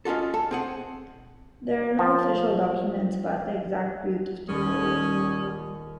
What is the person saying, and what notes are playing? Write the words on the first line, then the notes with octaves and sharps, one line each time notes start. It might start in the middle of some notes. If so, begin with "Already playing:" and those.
There are no official documents about the exact route of The Road.
G#3 C#4 F4 F#4 A4
A4
C4 G#4 F#5
F3
D#1 D#2 G3 C#4 D5 D#6